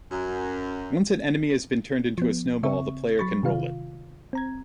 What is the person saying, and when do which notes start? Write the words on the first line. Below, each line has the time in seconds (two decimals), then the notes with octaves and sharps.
Once an enemy has been turned into a snowball, the player can roll it.
0.11 F#2
2.18 F3 B3
2.63 C#3 C4 E5 C#6
3.18 F#3 B5 C#6 A6
3.43 C3 D#3 F4 F5
4.33 C4 A#5 G#6